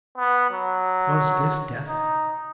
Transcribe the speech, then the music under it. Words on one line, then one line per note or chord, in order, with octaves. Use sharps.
Was this death?
B3
F#3
D#4